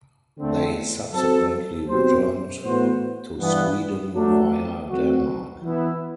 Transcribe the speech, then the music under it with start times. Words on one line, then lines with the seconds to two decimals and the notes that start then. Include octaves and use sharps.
They subsequently returned to Sweden via Denmark.
0.38 D3 A3 C4
1.13 F#3 C4 F#4 A4
1.88 B2 F#3 C4 G4 C5
2.63 A2 E3 B3 F#4 C5
3.38 G2 E3 B3
4.12 F#3 A3 D4
4.88 F#3 A3 C4 F#4
5.63 E3 B3 E4